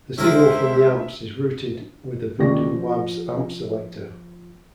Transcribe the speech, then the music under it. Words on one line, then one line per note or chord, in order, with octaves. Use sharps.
The signal from the amps is routed with a Voodoo Labs Amp Selector.
C#2 G#3 E4 A#4 C5 E5
C#2 A#2 D#3 D5 C#6 A#6
F3